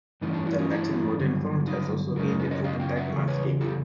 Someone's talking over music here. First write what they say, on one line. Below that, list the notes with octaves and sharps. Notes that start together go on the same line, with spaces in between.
The Latin Modern font has also gained an OpenType math table.
G2 E3 A3 C#4 D#4
D4
E4 F#4
D#4 F4
D4 E4
G2 D3 F#3
D#4 F4
F#2 C#3 F#3 C#4 A#4
G#4 A#4
A4 B4
C#5 D#5
D#5 F5
F5 G5
E5 F#5
E2 C#3 A3
B4 C#5
G4 A4